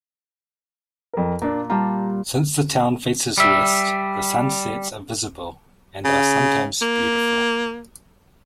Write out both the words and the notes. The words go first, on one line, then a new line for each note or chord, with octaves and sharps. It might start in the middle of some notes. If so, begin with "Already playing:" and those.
Since the town faces west, the sunsets are visible and are sometimes beautiful.
F2 A#4
A#2 A#3 D4
G3 F4 A5 A#5
G3 E5
C#3
A#3